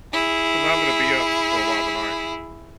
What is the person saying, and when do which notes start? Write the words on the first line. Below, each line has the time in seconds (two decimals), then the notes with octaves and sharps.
so now I'm gonna be up f for a while tonight
0.13 E4 G#4